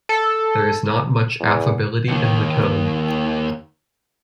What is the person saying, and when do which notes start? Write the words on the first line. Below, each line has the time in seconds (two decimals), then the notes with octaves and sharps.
There is not much affability in her tone.
0.09 A4
1.40 E2
2.08 D#2 D#3